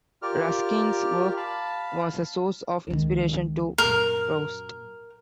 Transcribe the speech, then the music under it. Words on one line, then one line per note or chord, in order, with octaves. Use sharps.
Ruskin's work was a source of inspiration to Proust.
F4 G4 A#4 D5 F6
F5 A5 B5
C#2 D#3
F#2 A#2 A#4